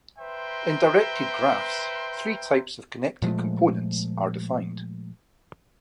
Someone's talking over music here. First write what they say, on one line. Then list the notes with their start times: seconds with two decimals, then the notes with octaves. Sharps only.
In directed graphs, three types of connected components are defined.
0.19 B4 C5 E5 G5 A#5 C6
3.22 A#2 F3 G#3 A3